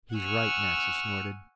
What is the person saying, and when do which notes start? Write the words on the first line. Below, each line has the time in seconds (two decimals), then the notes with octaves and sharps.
"He's right," Naxa snorted.
0.15 F#5 G#5 C#6 E6 F6